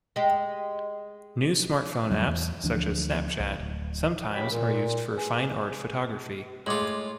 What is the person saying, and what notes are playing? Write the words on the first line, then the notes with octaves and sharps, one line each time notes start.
New smartphone apps such as Snapchat sometimes are used for fine-art photography.
G#3 G4
F2 D3 F#3 G3
E2
D2 E3 F3 D4
C2
D1
C#2 C#3 F#3 G4 G5 B5
A#2
G#4 B4 G#5
A2 G#3 F4 G#4 C6 D6 G#6 F#7